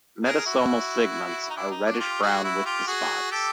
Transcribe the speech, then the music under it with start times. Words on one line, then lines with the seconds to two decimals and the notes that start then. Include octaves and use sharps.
Metasomal segments are reddish brown with the spots.
0.24 G#4 A#4
0.46 E4 F#4
1.50 D#4
1.56 D4 E4
1.71 D#4
1.86 D4
1.94 F#4
1.99 F4 G4
2.22 F#4 G#4
2.44 E4 F#4
2.65 F4 G4
2.87 F#4 G#4
3.31 G4 A4